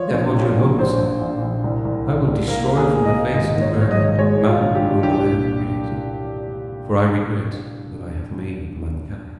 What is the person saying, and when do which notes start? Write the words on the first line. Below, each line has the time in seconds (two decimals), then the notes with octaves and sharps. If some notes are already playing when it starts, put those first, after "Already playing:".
Therefore Jehovah said, I will destroy from the face of the ground man whom I have created, for I regret that I have made mankind.
Already playing: F3 C#5
0.14 A#1
0.36 A#2
0.57 A#1
0.78 A#1 C5
0.99 A#1
1.21 A#1
1.42 A#1
1.64 C2
1.85 C2
2.06 C2
2.27 C2
2.48 A#3 A#4
2.69 A#3
2.77 G#4
2.91 A#3
3.05 D#5
3.13 A#3
3.34 G#1 D#5
3.55 G#2
3.62 C#5
3.76 G#2
3.81 C#5
3.91 D#5
3.98 G#1
4.18 G#3 C#5
4.41 D#3
4.47 F4
4.61 G2
4.75 G4
4.82 G2
5.03 C2 G4
5.25 A#2